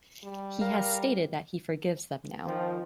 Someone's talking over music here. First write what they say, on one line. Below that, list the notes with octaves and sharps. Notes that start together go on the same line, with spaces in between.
He has stated that he forgives them now.
G3
A#4 F5
D#3 F3 C4